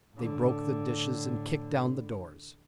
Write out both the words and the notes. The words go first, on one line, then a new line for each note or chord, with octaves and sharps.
They broke the dishes and kicked down the doors.
A2 D3